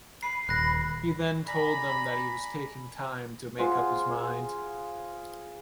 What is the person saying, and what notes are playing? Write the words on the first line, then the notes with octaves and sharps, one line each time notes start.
He then told them that he was taking time to make up his mind.
B5 C7
D#1 F#6 A#6
D5 G#5 A#5 B5
F4 G#4 C5 F#5